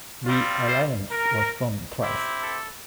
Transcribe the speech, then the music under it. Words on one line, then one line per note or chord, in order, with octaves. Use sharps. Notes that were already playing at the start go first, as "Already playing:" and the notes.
The Alliance was formed twice.
G3 C4 F4
C5
A#4
C4 E4 G4
A4